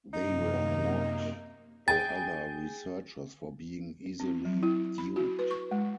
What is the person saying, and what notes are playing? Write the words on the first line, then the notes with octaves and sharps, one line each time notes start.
They were mocked by other researchers for being easily duped.
F#2 C3 A#3 D#4
G#4 G5 G#5 A6
C4
F#3
E4
B5
F#4
B4
C#6
G#3